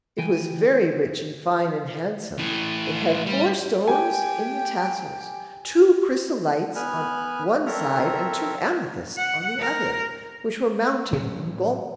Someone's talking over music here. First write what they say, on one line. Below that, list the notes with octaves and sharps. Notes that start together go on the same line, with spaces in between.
It was very rich and fine and handsome; it had four stones in the tassels--two chrysolites on one side, and two amethysts on the other, which were mounted in gold.
E3 G5 G#5
A2 E3
G3
G4 G5 G#5
B3 G#5 B5 F6 F#6
C4 A4 A#4 C#5 E5 A#5
F#5
A#4
A2 F#3 C#4